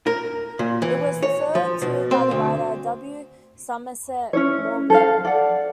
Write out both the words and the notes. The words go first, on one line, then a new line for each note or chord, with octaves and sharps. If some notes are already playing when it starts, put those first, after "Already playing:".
It was referred to by the writer W. Somerset Maugham.
A#4
A#2
E3
C#5
F3
B2
C4
D2
C#4 E4 C#5
A4 C5 F5
D5 F#5